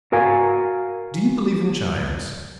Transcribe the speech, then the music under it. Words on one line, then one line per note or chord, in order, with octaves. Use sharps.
Do you believe in giants?
F#4 A#4 F5 G#5